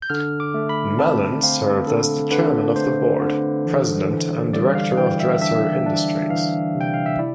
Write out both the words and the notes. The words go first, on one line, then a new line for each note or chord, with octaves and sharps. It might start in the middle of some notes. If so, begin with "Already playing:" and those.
Mallon served as the Chairman of the Board, President and Director of Dresser Industries.
G6
D3 F6
D6
A3
B5
C4 A5
C4 F5
D3 A4
D3 B4
A3 C5
D3
E3
E3
G3 D5
F5
E3 G5
E5
D4 E5
D4
E3 F5
C3
G5
F5
E5
E4 D5